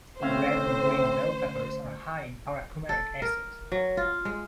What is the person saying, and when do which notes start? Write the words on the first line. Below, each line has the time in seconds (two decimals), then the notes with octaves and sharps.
Red and green bell peppers are high in para-coumaric acid.
0.21 D2 A2 C4 C#4 C5 F5
2.89 A4
3.22 A#4
3.72 F#3
3.97 F4
4.25 G#3